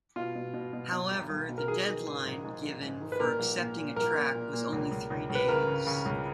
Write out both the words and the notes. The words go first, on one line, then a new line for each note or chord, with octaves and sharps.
However, the deadline given for accepting a track was only three days.
B2 F4
B2
B2
B2
B2
B1
B1
B2
A#4
D#3 G#4
D#3
G#2
A#1
G#2
A#1
G#2
D#3
B4
A#2 A#4
A#1
A#2
A#2
A#1 A#4
A#2
A#2
A#2
C#2
C#2
C#2
C#2
B4
C#3 A#4
C#3
C#3
C#2